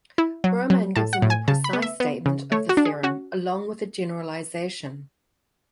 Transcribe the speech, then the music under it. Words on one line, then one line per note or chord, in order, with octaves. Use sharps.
Broman gives a more precise statement of the theorem, along with a generalization.
E4
F#3
F#3
A2 A5
F#5
A2
G#5
C#3 A5
B5
B3
E5
B3
C#3
A3 C#5
F#4
D4
G#4
C#4 F#4